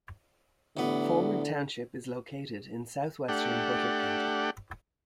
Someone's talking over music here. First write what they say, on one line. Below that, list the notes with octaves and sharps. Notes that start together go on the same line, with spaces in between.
Forward Township is located in southwestern Butler County.
A1 D3 B3
A3 D4 G4 F#5